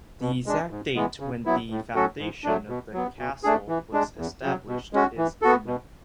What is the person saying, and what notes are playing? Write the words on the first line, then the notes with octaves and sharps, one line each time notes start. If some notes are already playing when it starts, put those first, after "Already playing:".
The exact date when the foundation of the castle was established is unknown.
B2
G#3 D4
G#2
E3 G#3 B3
C#3
F#3 B3 E4
A2
F#3 C#4 F#4 A4
G#2
F#3 A3 D4
B2
F#3 B3
B2
A3 D4 G#4
E3
G#3 D4
E2
C#3 F#3
B2
G#3 C#4 F#4
E3
B3 F#4 A4
B2